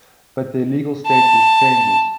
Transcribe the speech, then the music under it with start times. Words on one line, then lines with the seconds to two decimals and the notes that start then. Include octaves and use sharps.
But their legal status changes.
1.07 A5